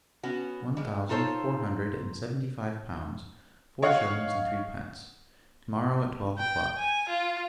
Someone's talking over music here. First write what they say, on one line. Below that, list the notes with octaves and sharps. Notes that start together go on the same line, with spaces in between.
One thousand, four hundred and seventy-five pounds, four shillings, and threepence, tomorrow at twelve o'clock.
B3 C#4 F#4
G3 G#3
D#4 F4 A4 C5 C#5
C#5 D#5 F5 F#5
G5
G#5
F4